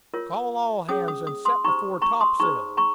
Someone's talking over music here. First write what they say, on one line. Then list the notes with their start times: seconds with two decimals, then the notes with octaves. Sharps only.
"Call all hands, and set the fore-topsail."
0.14 F4 A#4 C#5
0.89 C#4 G#4 C#5 D#6
1.08 D#6
1.27 D#6
1.45 C6 D#6
1.64 D#4 G4 C5 A#5 C#6
2.02 A#5 C#6
2.21 C6 D#6
2.39 D#4 G#4 C5 A#5 C#6
2.77 A#5 C#6